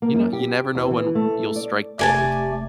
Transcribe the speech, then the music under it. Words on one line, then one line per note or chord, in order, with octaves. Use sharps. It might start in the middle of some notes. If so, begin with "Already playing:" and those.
you kno you never know when r you'll strike gold.
A#3
F#2
G4
E2
E3
A3
D5
F1 A3 G4 D5 G#5 A5